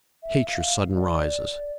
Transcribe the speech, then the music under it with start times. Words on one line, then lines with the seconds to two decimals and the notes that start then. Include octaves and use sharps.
I hate your sudden rises.
0.23 E5
0.47 F5
0.95 D5